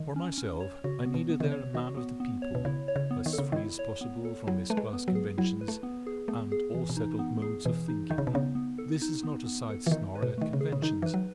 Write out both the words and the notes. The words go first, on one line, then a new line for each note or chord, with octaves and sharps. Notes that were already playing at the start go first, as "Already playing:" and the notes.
For myself I needed there a Man of the People as free as possible from his class-conventions and all settled modes of thinking. This is not a side snarl at conventions.
Already playing: D#3
C#4
C#4
C#5
C#3 F#4
B3
B2
B3
D#3
C#3
C#5
D#3 F#4
B3
B3
C#5
B2
C#3 E4
C#5
C#3
B3
D#3
A4
C#3
D#3 E4
C#5
B3
A4
F#3 E4
A3 B4
G#3
B3
F#3
G#4
F#3 E4
B4
A3
B3
G#4
A3 B3
G#4
E3
B2
D#4
B3
G#4
B2 E3
D#4
D#3 D#4
C#3
B2
C#3 B3
B3
A4
D#4
B3
B3
A4
E3
D#3 D#4
B4
B2
D#3 A3
C#3
G#4
C#3
D#3 D#4
E3 B4
F#3